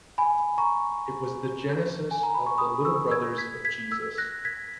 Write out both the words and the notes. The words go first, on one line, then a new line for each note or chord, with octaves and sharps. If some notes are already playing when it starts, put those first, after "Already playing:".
It was the genesis of the Little Brothers of Jesus.
G#5 B5
A#5 C#6
G#5
A#5
B5
C#6
B5 D#6
C#6 E6
E6 G#6
G#6 B6
G#6 B6
E6 G#6
F#6 A#6
G#6 B6